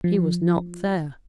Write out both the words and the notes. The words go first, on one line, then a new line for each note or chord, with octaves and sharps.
He was not there.
F3